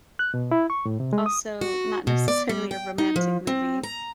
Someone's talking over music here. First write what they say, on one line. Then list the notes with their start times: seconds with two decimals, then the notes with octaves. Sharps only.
also not necessarily a romantic movie.
0.19 F#6
0.34 B2
0.51 E4
0.70 C#6
0.85 A2
1.00 C3
1.13 G#3
1.26 D#6
1.61 F#4
2.07 B2
2.28 D5
2.49 G3
2.71 G5
2.98 D#4
3.16 F3
3.47 C4
3.83 A#5